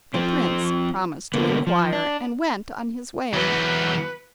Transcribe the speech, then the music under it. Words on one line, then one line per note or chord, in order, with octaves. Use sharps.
The prince promised to inquire, and went on his way.
F3 C4
D3 A#3 B3
F3
D4
E2 F#3 B4